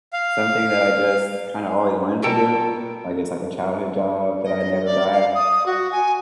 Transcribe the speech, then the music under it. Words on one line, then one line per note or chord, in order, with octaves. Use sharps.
something that I just kinda always wanted to do. Like, it's like a childhood job that I never got.
F5
B2 A4 A#4 G5 A5
D#5
D5
F5
D#6
F#4
G#5